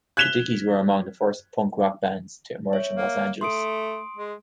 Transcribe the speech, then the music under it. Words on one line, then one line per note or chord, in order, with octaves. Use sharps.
The Dickies were among the first punk rock bands to emerge from Los Angeles.
F#6 G#6 B6 E7 F7 G7
C#5 E5
A#3
A3 C6 D#6 D7
G#3